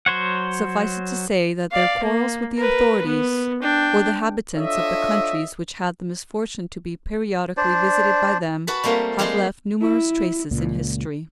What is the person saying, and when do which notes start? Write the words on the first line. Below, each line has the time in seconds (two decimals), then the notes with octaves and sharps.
Suffice it to say that their quarrels with the authorities, or the inhabitants of the countries which had the misfortune to be periodically visited by them, have left numerous traces in history.
0.06 F#3 C5 C#5 F#5
1.71 D5 F5
2.03 A#3
2.56 A#4 B4
3.04 B3
3.62 D4 G5
4.56 D4 F4 A4 C#5 D#5 E5
7.57 D4 C5 D5
8.67 F#4 B4 A5 B5
8.84 G3 A3 A#3 C4 F4
9.19 G3 G#3 C4 G4 C5 C6
9.81 E4
10.51 C#2 A#2